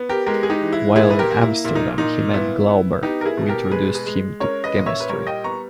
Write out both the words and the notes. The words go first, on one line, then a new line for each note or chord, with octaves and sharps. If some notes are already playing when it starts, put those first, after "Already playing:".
While in Amsterdam he met Glauber, who introduced him to chemistry.
Already playing: B3
G4 A#4
G#3 G4 A#4
G#4
D#4 G4
E3
E4
A#2 E4 G#4
B4
G4 A#4
A#3
E4
A#2 E4
D#4
A#2 D#4
B3 E4
B3
B3 D#4 G4
A#4
E4 G#4
B2
G4 A#4
G#3 G#4 B4
G#4 B4
G#3
C#4 A#4 C#5
B4 D#5
A#2
C#5 E5
B4
G3 A#4 C#5
D#5 G5
B3 A#5 C#6